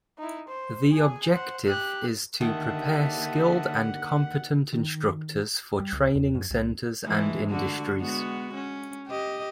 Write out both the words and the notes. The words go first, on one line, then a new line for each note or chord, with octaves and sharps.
The objective is to prepare skilled and competent instructors for training centres and industries.
D#4 E4
C5
G#4 G#5
C5 F#5
G4 F#6
D3 D#3 A#3 G4 E5 F#5 A5 D#6
D#3
G3
C#2
E2
F#2
C2
E3 G#3 A3
D3 F#4
G#3 B3 F#4
C#4
G4 D#5